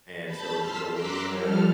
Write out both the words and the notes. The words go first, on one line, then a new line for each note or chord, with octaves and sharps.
And so, it can go anywhere
A5 B5 G6 A6
A5 C6 E6 F6 B6
A#5 C6 D6 E6 F#6 B6
F3 G3 A4 F6